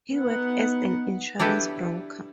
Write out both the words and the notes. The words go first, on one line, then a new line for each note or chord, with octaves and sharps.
He worked as an insurance broker.
B3 D#4 F#5
D4 E4 G4 A4 B4